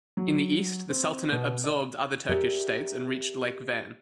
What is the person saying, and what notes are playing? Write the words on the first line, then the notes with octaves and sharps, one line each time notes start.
In the east, the sultanate absorbed other Turkish states and reached Lake Van.
F#3
C4
B2
D5
G4 G#4 A#4 C5 D5 E5